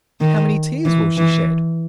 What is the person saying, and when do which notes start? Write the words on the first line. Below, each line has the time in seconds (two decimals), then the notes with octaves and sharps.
How many tears will she shed?
0.21 D#3
0.85 E3
1.17 E3